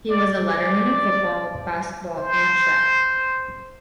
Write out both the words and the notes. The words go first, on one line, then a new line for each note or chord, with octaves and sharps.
He was a letterman in football, basketball, and track.
D5
D5
C5